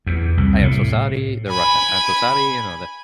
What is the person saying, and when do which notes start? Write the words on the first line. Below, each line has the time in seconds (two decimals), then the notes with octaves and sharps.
"I am so sorry."- They're Russian.- "I'm so sorry." You know that
0.07 E2
0.37 C2
0.62 A2
1.50 G#5 B5